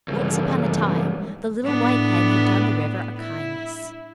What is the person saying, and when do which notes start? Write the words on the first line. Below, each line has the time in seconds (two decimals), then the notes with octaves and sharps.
Once upon a time the little white hen had done the river a kindness.
0.08 C#2 G2
1.64 A2 B3 D4
3.18 E4